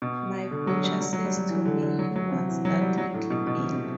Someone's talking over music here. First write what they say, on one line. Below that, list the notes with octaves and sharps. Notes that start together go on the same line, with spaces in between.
My butcher says to me he wants that little bill.
B2
D3
F#3
G3
F#3
F#3
G3
F#3
E3
D3
D3
F#3
F#3
C3
E3
F#3
G3
F#3
A2
B2
B2
C3
C3